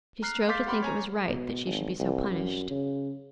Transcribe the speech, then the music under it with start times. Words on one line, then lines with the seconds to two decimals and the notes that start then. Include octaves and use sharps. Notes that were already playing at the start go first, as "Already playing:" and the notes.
She strove to think it was right that she should be so punished.
0.22 A#5 F6 F#6 C7
0.48 F5 C6 D6 G6 A6 B6
0.66 G4 F#5 B5 C6 D6 F6
0.83 C#5 G#5 A#5
1.26 B2
1.66 G#1
1.99 C2
2.31 F#2
2.70 C#3